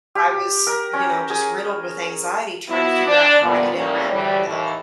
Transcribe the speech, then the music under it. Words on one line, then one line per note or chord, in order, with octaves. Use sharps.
I was, you know, just riddled with anxiety trying to figure out how I could interact with them.
G4
A#4
C#4
G#4
B3 E4 F#4
D4
A#2 D3 F3 G3 B3
A2 G3 A#3 C#4
D2 A2 E3 G3
D#2 A2 E3